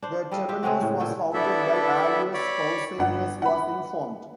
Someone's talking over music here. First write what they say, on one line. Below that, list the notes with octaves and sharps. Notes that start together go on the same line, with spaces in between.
The "temenos" was founded by Aleus, Pausanias was informed.
D4 C5
G3 A4 D#5 F5
F4 G4 E5
C#3 G#3 C4 F#4
A2
A#2 A4 G5
B3 D4 E4 A4 E5
C#5 D5 B5
G1 F#5
F#5 B5